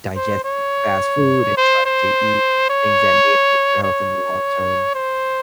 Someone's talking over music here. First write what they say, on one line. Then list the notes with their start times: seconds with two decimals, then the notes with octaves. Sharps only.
digesting fast food and trying to eat things that may affect your health in the long term.
0.16 C5
0.44 C#5
1.57 C5
1.85 C5
2.70 C#5
3.83 C#5
4.95 C5